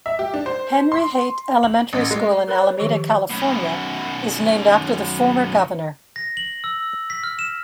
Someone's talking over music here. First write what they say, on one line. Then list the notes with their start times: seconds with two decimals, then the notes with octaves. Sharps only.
Henry Haight Elementary School in Alameda, California is named after the former governor.
0.06 E5
0.19 G4
0.34 D4
0.46 C5
0.92 C6
1.63 F#7
1.93 A1
2.11 G#3
2.48 A#4 B4 C#5 B5
2.79 D#3 F3 G4 C#6
3.30 F#2 B2
6.16 A#6
6.37 F#7
6.64 E6
7.10 B6
7.24 F6
7.39 E7